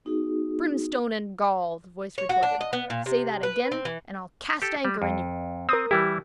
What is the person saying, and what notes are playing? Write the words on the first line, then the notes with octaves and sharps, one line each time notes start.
"Brimstone and gall," the voice retorted, "say that again, and I'll cast anchor in you."
B3 D#4 F#4 G#4
C#5
F#4
D4
D#5
B3
A#2
C3
B4
C4
E3
G4 A4
G3
F2
C4 A#4 D#6
E3 G3 E4 G4